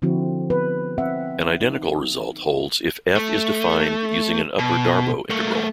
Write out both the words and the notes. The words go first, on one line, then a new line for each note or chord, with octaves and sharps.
An identical result holds if "F" is defined using an upper Darboux integral.
D3 F3 C4 E4 F#4
B3 B4
C4 E5 F#5
D#4
A3
B2
A3 A#3